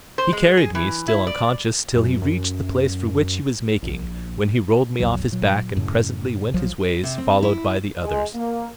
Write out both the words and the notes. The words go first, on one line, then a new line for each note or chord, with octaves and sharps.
He carried me still unconscious till he reached the place for which he was making, when he rolled me off his back and presently went his ways followed by the others.
C5
G#3
G#4
E3
E4
D5
F#2
F#2
A#1
A#1 E2 A2 F#3
A#2 F#3
F#2 A2 C#3
B1 F3 F#3
C3
C4
E4
G#3
A#3